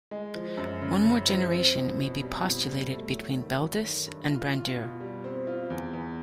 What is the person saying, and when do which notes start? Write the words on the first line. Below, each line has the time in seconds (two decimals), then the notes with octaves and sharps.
One more generation may be postulated between Beldis and Brandir.
0.11 G#3
0.35 F3
0.57 F#2
0.82 C#3
1.04 C#3
1.28 F3
1.51 C4
1.75 B2
1.98 B2
2.21 G3
2.44 B2
2.67 G3
2.91 A3
3.14 F#3
3.38 D#3
3.61 F#3
3.84 D#3
4.07 G2
4.31 F4
4.54 F4
4.77 B2
5.00 G3
5.24 C4
5.47 F4
5.70 E2
5.93 E2